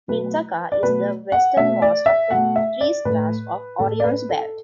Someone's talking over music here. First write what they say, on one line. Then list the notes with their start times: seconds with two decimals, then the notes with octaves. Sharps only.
Mintaka is the westernmost of the three stars of Orion's belt.
0.08 B2 F#3 A3 B4
0.72 D5
0.83 B2 F#3 A3 B4
1.32 F#5
1.57 B2 A3 E5
1.82 D5
2.06 E5
2.30 B2 A3 F#5
2.56 E5
2.81 D5
3.05 A2 A3 B4
3.79 A2 A3 A4
4.00 D5
4.04 B4
4.29 A4